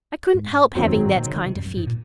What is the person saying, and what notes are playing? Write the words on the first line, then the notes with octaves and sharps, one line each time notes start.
I couldn't help having that kind of feet.
G#2
F#2 D#3 F#3 C4
F2
G#2
G#2
A#2
C#3
D#3
C3
F#2
F#2
G#2
A#2